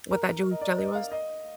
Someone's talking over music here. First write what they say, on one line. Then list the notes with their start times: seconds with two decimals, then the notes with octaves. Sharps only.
what that June's Deli was?
0.11 A#4
0.51 D#5
0.61 D5
0.78 D#5
0.95 F5
1.12 D#5